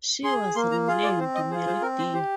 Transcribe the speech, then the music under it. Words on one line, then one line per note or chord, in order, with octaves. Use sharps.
She was renamed "Mary D".
G#4 C6
A#3 C6
A#5
F4 G#4 F5
D5
C4 C5
D#5
F4 G#4 C5
C5
C4 A#4
C5
G4 C5